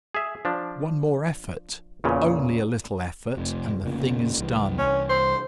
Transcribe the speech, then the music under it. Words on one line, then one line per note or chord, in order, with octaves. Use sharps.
One more effort, only a little effort, and the thing is done.
G#4 E5
F3 D4
E2 A#2 C#3
F1 F2
F1 A#2 C#3
C2 E3
C#4
C5